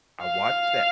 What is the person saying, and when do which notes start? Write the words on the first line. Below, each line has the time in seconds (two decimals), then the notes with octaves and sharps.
I watched that
0.21 F5